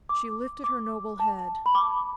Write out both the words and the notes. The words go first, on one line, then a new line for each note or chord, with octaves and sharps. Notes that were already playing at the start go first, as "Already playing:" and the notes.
She lifted her noble head.
D6
D6
A5
B5
D6